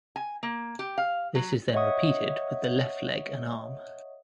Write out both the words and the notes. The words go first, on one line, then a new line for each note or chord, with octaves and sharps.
This is then repeated with the left leg and arm.
G#5
A#3
G4
F5
F#3
C#5 D#5 E5 F#5 C#6 D#6